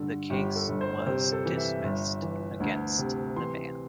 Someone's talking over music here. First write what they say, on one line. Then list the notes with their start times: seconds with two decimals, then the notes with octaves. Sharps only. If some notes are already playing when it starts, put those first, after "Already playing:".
The case was dismissed against the man.
Already playing: G2 D3 A4
0.30 G1 G4
0.56 A4
0.68 G1
0.81 C5
1.06 C3 C5
1.32 A4
1.45 E3
1.57 E5
1.84 G1
2.22 E3
2.60 D2
2.98 C3
3.36 E3 C6